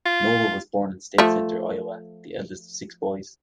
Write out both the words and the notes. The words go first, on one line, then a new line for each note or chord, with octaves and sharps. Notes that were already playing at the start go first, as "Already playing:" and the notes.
Noble was born in State Center, Iowa, the eldest of six boys.
F4
F3 A3